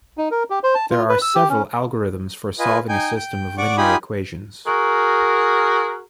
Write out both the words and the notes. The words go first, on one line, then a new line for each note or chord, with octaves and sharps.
There are several algorithms for solving a system of linear equations.
D#4
A#4
G4
C5
A5
F4
B4
E6
G4
C#4
F4 B4 D#5 G#5
D#4 G5 G#5
G5
D5 F#5 C#6 D6
D#4 F4 G4 G#5 B5 D#6
F#4 G#4 A#4